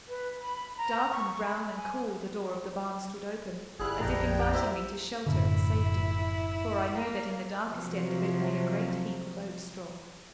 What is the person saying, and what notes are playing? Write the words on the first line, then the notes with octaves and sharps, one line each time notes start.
Dark and brown and cool the door of the barn stood open, as if inviting me to shelter and safety; for I knew that in the darkest end of it lay a great heap of oat-straw.
B4
B5
A#5
C#6
B5
G#5
G1 G3 E4 G#4 F#6
A#1 F2 D4 G5 A#5
G4 A#5
E4 C5 E5
F#1 A2 D3 E4
A#3
C3 F3 F#3